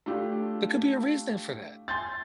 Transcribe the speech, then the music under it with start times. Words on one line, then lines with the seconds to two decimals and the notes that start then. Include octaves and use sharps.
there could be a reason for that.
0.06 A3 D4 E4 F4 G4
1.88 G#5 C6 G6 A6